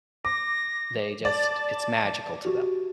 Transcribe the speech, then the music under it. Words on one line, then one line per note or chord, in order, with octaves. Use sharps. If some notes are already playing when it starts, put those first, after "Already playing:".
they just it's magical to them,
D6 A#6
D5 A5
F#4 G4